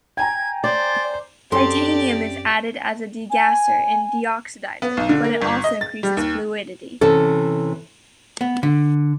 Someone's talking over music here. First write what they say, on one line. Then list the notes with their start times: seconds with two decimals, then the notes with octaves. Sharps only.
Titanium is added as a degasser and deoxidizer, but it also increases fluidity.
0.17 G5 G#5 A#5 G#6
0.64 C5 D5 A6
1.52 F#2 C4 C#4 G4 A4 D5 C6
3.30 G#5
4.82 B3
4.97 B1
5.09 D3
5.24 A#3
5.42 G1
5.64 D#5
5.81 A6
6.03 G3
6.17 D#2
7.01 C3 E3 C#4 A4
8.41 B3
8.63 D3